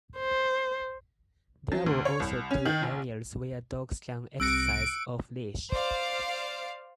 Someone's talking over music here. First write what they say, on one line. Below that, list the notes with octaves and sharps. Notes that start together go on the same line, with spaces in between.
There are also two areas where dogs can exercise off leash.
C5
F#3
D2
C#5
C2
C#4
D#3
A#1
C2 C3 E6 F#6 A#6 C#7 D7
C5 D5 F5